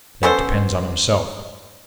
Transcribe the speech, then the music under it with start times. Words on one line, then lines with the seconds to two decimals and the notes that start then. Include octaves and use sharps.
'That depends on himself.
0.23 B3 C#4 A4 C5